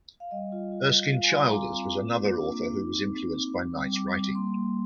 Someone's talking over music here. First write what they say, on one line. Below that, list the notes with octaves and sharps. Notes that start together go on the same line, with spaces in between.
Erskine Childers was another author who was influenced by Knight's writing.
F5
G3 D#5
F4
F4
F4
F4 F5
G#5
G3 C6
A#5
C4 D6
C4
F4
A#3
D4 D6
A#3
D#4
C4
C4
C4
C4
G3
G3 D6
G3
A#3 C6
A#3